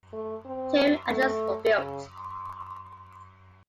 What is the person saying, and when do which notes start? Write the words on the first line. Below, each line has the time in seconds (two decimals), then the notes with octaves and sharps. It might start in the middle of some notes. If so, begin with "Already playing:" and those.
Two "Atlant"s were built.
0.13 A3
0.45 C4
1.11 A3
1.78 C#3